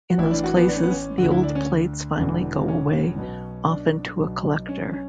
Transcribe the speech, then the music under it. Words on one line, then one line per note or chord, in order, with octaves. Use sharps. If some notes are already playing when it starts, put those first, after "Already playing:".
In those places, the old plates finally go away, often to a collector.
F#4
A1 A2 E3 E4
D4
F#4
B3
D4
C#4
B3
C#4
D3 F#4
D2
E4
D4
C#4
E1 E2 D3
C#4
B1 B2
D4
B1 B2
C#4
C#4